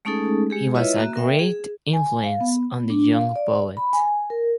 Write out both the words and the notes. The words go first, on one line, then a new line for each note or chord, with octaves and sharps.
He was a great influence on the young poet.
G#3 A3 C#4 D#4 G#4 A4
G#3 G4 G#4
E4 F4 B4 C#5 D#5 E5
A#3 F#4 E5
A#4 E5 G5
G#4
G#5
F5
B3
B3
D4
F5
D5
B5
G#5
A#4